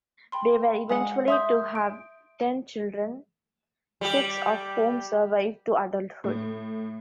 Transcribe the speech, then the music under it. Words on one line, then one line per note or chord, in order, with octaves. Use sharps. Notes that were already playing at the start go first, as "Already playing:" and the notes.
They were eventually to have ten children, six of whom survived to adulthood.
G5 B5 C6
G#3 G#4 F#5
E5 C6 D#6 G6
D7
G3 G4
A2